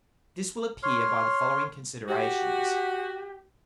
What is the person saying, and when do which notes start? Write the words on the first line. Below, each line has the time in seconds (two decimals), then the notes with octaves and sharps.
This will appear by the following Considerations.
0.83 C#5 C6 F6
2.08 F#4 G4